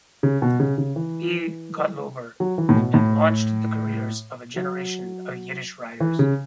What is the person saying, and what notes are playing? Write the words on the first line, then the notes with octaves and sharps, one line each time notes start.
B. Gotlober, and launched the careers of a generation of Yiddish writers.
C#3
B2
C#3
C#3
E3
F#3
E3
A2
B2
A2
F#3
E3
C#3